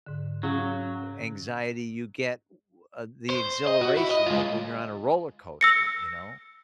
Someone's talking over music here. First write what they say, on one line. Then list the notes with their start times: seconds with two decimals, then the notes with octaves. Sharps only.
anxiety you get, w uh, the exhilaration, like when you're on a roller coaster, you know.
0.07 G#2 D3
0.43 C#3 F#3
3.30 C5
3.67 D#5
3.81 F#4
3.97 E4
4.11 D#5
4.26 G#3 F4
5.61 E6 A#6 C#7